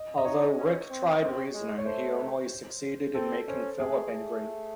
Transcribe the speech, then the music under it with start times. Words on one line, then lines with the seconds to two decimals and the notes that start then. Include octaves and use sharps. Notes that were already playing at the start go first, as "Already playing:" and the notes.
Although Rick tried reasoning, he only succeeded in making Phillip angry.
Already playing: D#5
0.18 D#5
0.25 D#4 C#5
0.57 C#4
0.90 C4
1.22 C4
1.54 G#3
1.78 C#5
1.86 A3 C5
3.15 C4 A4
3.47 C#4 C5
3.80 A3 G#4
4.12 A3